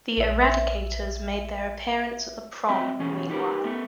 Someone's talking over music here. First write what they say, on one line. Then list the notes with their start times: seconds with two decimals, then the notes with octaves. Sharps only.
The Eradicators make their appearance at the prom, meanwhile.
0.18 A#1 E5
2.69 F#3 C4 D#5 E5
2.99 B2 E3 C#4 G#4
3.29 D#4 G4 A#4 B4
3.64 A3 B3